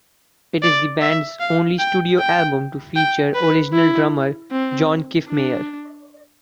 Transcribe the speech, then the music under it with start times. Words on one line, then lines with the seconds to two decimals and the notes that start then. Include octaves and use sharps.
It is the band's only studio album to feature original drummer John Kiffmeyer.
0.63 D5
1.01 E5
1.40 F5
1.79 G5
2.19 G5
2.96 G5
3.35 B4
3.74 E4
4.52 C4
5.29 D4